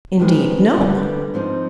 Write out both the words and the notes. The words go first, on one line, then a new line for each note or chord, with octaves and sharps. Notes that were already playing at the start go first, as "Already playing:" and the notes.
"Indeed no."
F2 D#3 G#3 B3
D2 D3 G3 B3
G#2 F3 C4 D#4